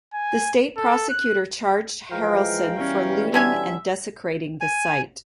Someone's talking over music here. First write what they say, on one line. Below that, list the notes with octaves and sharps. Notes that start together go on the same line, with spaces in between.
The state prosecutor charged Harelson for looting and desecrating the site.
G#5
A4
F#6
E3 F3 G#3 A#4 F5 G5
B2 E3 G3 C#4
D3 C#4 E5 G#5
G#5